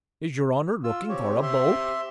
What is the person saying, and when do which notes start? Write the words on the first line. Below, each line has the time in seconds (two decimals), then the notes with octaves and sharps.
"Is your honour looking for a boat?"
0.84 F4 E6
1.09 C4 G4 C#5
1.42 E5 C6